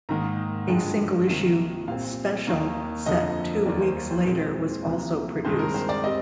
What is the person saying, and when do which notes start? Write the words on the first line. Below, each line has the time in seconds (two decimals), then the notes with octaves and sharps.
A single issue 'Special' set 'Two weeks' later was also produced.
0.09 G#2 D#3 A#3 A#5
0.68 G2 D3 F3 G#3 G5
1.28 C2 C3 D#3 A#3
1.88 A#2 G3 C4 F5
2.47 D#2 D#3 A#3
3.06 F2 D3 F3 A#3 D#5
3.66 D#2 D#3 A#3 D5
3.81 C5
4.11 C5
4.25 A#2 G#3 C4
4.85 D2 C3 F3 A#3
5.45 G2 D#3 G#3 C4 C5
5.59 A#4
5.74 C5
5.89 D5
6.04 G3 C4 D#5